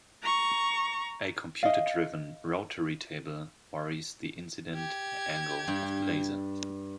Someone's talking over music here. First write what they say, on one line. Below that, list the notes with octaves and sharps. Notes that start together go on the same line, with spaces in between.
A computer-driven rotary table varies the incident angle of the laser.
A#5 C#6
D#5 F5
G4 G#6
G2 G5